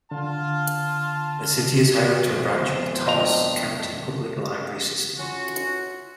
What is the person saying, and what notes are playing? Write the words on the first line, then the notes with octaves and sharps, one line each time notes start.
The city is home to a branch of the Thomas County Public Library System.
D3 F4 A5
G#1 F2 B2 E3 C5
G2 D#5 A#5
C#4 F4 F#4